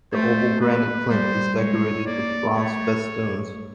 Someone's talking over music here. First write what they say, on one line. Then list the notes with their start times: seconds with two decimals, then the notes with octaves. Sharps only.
The oval granite plinth is decorated with bronze festoons.
0.13 A3 C5
0.61 B4
1.09 G3 C5
1.58 G#3 C#5
2.06 A#3 D5
2.55 A3 C#5